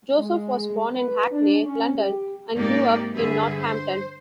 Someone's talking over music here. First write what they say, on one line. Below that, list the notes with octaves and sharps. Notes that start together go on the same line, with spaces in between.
Joseph was born in Hackney, London and grew up in Northampton.
G#3
B4
D4
C#4
G4
G#2 C3 A#3 D#4 G4 D5
G2 D3 G#4 B4 E5
C5